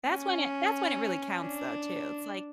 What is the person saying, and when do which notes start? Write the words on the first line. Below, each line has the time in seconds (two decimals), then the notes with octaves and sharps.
That's when it that's when it really counts, though, too, it's like
0.10 C#4
1.41 D4